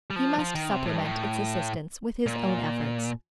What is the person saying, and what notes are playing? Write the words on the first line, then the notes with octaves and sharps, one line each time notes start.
He must supplement its assistance with his own efforts.
G3
F3
F3
D#3
C3
A2
G2
A2
A#2